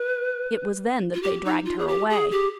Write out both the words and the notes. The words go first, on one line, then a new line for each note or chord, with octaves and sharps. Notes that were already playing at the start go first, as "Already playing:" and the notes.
It was then that they dragged her away.
Already playing: B4
F4
G4
D#4
F4
G#4
G4
G#4
G4